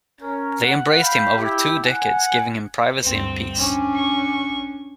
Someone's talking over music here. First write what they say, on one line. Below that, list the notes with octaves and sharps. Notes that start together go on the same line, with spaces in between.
They embraced him over two decades giving him privacy and peace.
C#4 A#4
F#5
F5 G5 B5
E4 G4
F#5 G#5
D2 G2 C4
C#4 D4
C#6